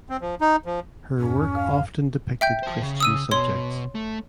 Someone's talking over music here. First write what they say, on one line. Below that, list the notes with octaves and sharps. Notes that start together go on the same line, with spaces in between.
Her work often depicted Christian subjects.
C4
F3
D#4
F3
F2 G#2 C#4
F5
E5 G5 G6
C5 A5
C#3
D#6 E6 D#7
B2 C#5 C6
A3